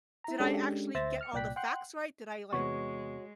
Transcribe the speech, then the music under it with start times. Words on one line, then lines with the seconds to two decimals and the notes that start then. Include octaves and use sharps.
did I actually get all the facts right? Did I, like
0.24 E4 A#5
0.40 G#3 C#4 D4 G4 A4
0.94 D2 C5 E5 E6 A6 A#6
1.21 F6 C#7
1.33 C2 A#2 D5 G5 F#6 B6
1.56 F#5 G5 C6 F#6
2.53 E2 C3 G#3 B3 F#4 C#5 C#6